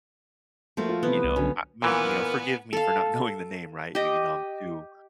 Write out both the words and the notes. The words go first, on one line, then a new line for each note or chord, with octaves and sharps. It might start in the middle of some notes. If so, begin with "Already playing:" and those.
you know, uh me you know, forgive me for not knowing the name, right? You you know, I'm too
F3 A3 A#3 F#4
F4
C3 E3 B3
C2
B2 D3 F#3 C#4
A#2 E3 B3 A#4 G#5
A4 F5
G4 D#5